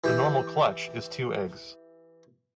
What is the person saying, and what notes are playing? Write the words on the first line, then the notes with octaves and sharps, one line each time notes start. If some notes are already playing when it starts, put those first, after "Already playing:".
The normal clutch is two eggs.
E3 G4